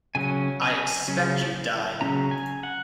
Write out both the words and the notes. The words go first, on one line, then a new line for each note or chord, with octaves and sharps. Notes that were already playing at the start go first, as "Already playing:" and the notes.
I expect you to die.
C#3 F#3 C#4 G#5
G#5
C#3 F#3 C#4
C#3 F#3 C#4 A#5
G#5
F#5